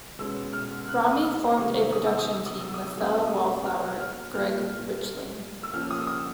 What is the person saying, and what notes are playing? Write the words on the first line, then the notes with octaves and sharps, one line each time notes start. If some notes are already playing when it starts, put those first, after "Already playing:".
Rami formed a production team with fellow Wallflower Greg Richling.
B2 G#3 C#4 E6
F6
F#6
D#6
E6
C3 D#3 G#3 B3 C#6
D#6
E6
D#6
E6
D#6
E6
D#6
E6
B2 F#3 A#3 C#4 D#6
E6
D#6
F6
F6
A#2 G3 A#3 F6
E6
F3 A#3 C#4 F6
D#6
E6
D#6